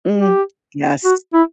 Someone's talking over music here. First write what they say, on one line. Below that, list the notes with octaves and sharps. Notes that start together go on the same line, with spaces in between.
Mm. Yes.
G4
F#4
E4